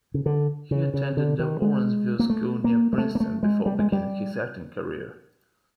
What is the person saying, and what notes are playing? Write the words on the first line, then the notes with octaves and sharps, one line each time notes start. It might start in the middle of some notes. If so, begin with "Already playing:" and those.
He attended The Lawrenceville School near Princeton before beginning his acting career.
C#3
D3
C#3
C#3
D3
D#3
G#3
A#3
A3
A#3
G#3
A3
A#3
A3
G#3
G3
G#3
G3